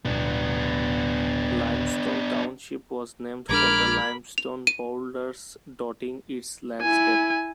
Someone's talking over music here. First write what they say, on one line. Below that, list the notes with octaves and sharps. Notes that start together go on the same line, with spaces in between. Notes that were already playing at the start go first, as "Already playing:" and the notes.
Limestone Township was named for the limestone boulders dotting its landscape.
D1 G#1 B2 B3 D4
A#1 G#3 D4 A#4 B5 D6 F6 G#6
F7
D#7
E4 G#5